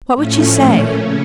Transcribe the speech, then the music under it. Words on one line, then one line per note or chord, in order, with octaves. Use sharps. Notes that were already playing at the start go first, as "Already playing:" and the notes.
What would she say?
A2 F3 A3 C#4
A#2 A3
C#3 C#4